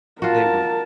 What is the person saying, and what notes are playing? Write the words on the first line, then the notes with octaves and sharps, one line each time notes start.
They were
F4 F#4 A#4 A5